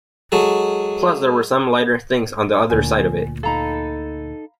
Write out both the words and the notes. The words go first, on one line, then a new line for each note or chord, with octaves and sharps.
Plus there were some lighter things on the other side of it.
F#3 G#3 A4
D2 A#2 G#5
D#4 A4 F5 A#5 B5